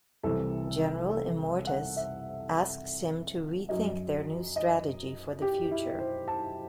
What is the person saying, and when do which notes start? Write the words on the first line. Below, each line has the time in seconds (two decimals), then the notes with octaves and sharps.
General Immortus asks him to rethink their new strategy for the future.
0.23 C2 C3 E3 A4
1.09 A4
1.67 F#5
1.97 E5
3.69 F#2 F#3 D#5
4.56 D#5
5.42 G4
5.71 E4
5.99 C5
6.28 A5